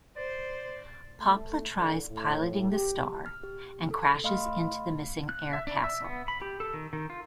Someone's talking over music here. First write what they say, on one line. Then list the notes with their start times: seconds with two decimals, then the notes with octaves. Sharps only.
Popla tries piloting the star - and crashes into the missing air castle.
0.17 C5 D5
1.21 A3
1.76 D3
2.08 A2
2.70 G4
3.26 F6
3.43 G4
3.91 A4
4.24 A3 D#5 F5 B5 C6 F6
5.29 F#6
5.53 E5
5.67 D4
5.84 E5
6.05 B3
6.28 B5
6.42 G4
6.60 A4
6.74 D#3
6.93 D#3
7.10 F4